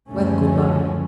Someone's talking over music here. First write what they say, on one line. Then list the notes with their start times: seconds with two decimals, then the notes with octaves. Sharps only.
Well, good-by.
0.10 F#1 D2 F3 G#3 A3 C#4